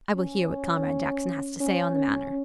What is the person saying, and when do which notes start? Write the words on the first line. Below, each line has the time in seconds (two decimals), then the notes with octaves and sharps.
I will hear what Comrade Jackson has to say on the matter.
0.16 C#4
1.60 C#4
1.97 C#4